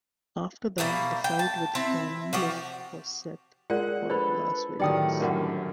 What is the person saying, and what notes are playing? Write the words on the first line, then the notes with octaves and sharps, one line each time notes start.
After that, the fight with Romero was set for Las Vegas.
B2 G3 A#3 E4
G5
A5
C4 E4 E5
F3 F#4 G4
G#3 F4 A#4 D5 F#5
D4 A4 B4 C5 B5
A2 D#3 F#3 G3 D#4 D5 G5 D#6
F#2 D3 A#4 B4 F#5